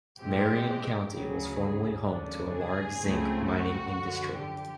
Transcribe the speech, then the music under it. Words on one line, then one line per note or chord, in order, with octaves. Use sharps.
Marion County was formerly home to a large zinc mining industry.
A2 F3 G#3 C4 G4
D2 C#3 F#3 G#4
D#2 C#3 F#3 A3 D4
G#4
C#2 C#3 F3 A3 C4
F#4
F#2 D3 F3
G4